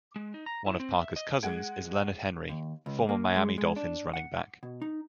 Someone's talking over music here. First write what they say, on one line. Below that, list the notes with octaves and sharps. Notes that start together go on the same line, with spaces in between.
One of Parker's cousins is Leonard Henry, former Miami Dolphins running back.
G#3
D#4
A#5
E4
C4
E5
D#5
G#3 F#5 G#6 D7
D#2
C#2
A#3
G#3
G#3
D4
F#5
B2
D#4